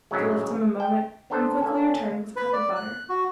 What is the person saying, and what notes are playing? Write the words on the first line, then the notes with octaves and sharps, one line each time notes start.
She left him a moment and quickly returned with a cup of butter.
A#1 F#2 A2 C#3 F#3 G#3
G5
B3 D4 A4 C5
A#3 C#4 A4 G#5
B4
D5
F#6
F#4